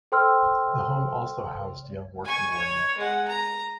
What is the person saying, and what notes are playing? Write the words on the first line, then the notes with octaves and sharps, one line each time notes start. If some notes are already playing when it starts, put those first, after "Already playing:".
The home also housed young working women.
A4 C5 G5 C6 E6 F6
G#5 C#6
C#5
G#3 F#5
A#5